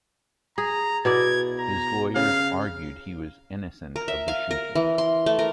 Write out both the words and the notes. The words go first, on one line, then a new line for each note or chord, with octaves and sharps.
His lawyers argued he was innocent of the shooting.
G#4 A#5
B2 E4 D5 G#6
A#5
C#3 F5
A#4
E5
F5
A#4
E3
C6
A3
A#4